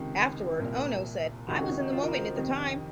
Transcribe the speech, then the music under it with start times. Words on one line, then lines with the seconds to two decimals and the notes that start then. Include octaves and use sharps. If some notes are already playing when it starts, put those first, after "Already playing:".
Afterward, Ohno said, I was in the moment at the time.
Already playing: C#2 C3 D#3
0.59 C2 A#2 A#4
1.48 C#2 C3 D#3 F#4
1.56 C#4
1.62 D#4
1.77 D#4
1.92 F4
2.03 A#4
2.14 C5
2.36 F2 C3 D#3